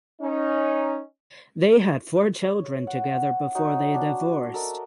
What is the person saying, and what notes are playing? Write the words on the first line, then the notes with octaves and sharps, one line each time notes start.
They had four children together before they divorced.
C#4 D#4
C#5
F#5
F#5
D#4 F#4 C#5
D4
A4 A#4 D#5 E5